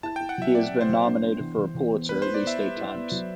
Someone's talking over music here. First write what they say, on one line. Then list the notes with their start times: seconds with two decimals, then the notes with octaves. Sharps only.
He has been nominated for a Pulitzer at least eight times.
0.03 E4 A5
0.16 E4 G5
0.29 F#5
0.38 F#3 E5
0.55 C4 D5
0.72 C3
0.81 C5
0.89 F#3
1.06 D4
1.23 B3
1.40 E3
1.58 E3
1.75 E3
1.92 B3
2.09 B3 B4
2.22 E4 C5
2.34 D5
2.43 B3 E5
2.60 G3
2.77 E4
2.95 B3
3.11 F#3